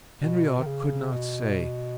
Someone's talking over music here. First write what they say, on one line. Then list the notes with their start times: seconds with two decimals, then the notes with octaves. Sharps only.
Henriot could not say.
0.21 B2
0.59 D#3
0.66 C#3
1.12 B2